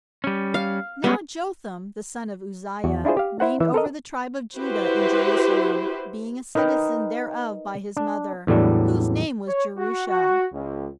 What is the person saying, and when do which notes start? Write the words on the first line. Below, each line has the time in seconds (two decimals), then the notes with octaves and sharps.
Now Jotham the son of Uzziah reigned over the tribe of Judah in Jerusalem, being a citizen thereof by his mother, whose name was Jerusha.
0.24 G3 C#4
0.54 F5
1.04 G3 G#3 B3 C#4
2.84 E2 F#4
3.05 D4 E4 F4 G#4 C5
3.17 G4 F5
3.40 E4 C5 F#5
3.60 E3 E5
3.74 A4 A#4 D#5
4.57 E4 F#4 G4 B4 C5
6.55 D#4 A#4 B4 D#5 G5
7.97 D4
8.47 E2 A2 F#3 G3 D4
9.47 C#5
9.76 F#4
10.08 F#4
10.52 C#2